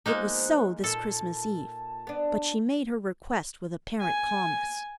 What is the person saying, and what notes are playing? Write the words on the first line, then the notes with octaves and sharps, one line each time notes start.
It was so this Christmas Eve; but she made her request with apparent calmness.
F3 G#3 A#3 B3 D#4 F#6
A#2 A4 A5
B3 D4
G#5